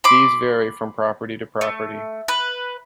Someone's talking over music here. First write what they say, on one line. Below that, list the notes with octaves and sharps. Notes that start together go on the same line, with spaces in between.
These vary from property to property.
B5 C6 D6
A3
B4